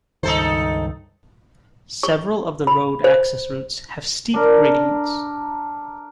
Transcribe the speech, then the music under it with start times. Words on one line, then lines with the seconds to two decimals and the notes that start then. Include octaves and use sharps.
Several of the road access routes have steep gradients.
0.23 C#2 G2 D#3 D#4 A4 C5
2.03 C#6
2.67 B5
3.04 C5
4.34 D4 A#4